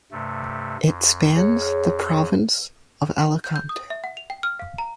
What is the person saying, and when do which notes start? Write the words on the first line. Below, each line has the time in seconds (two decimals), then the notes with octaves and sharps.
It spans the province of Alicante.
0.11 G2 C3 A3
0.86 F2
1.36 G#4 C#5
3.44 G6
3.56 G6
3.69 D#6
3.90 E5
4.04 F#5
4.17 F7
4.30 G5
4.43 F6
4.59 F5
4.78 A#5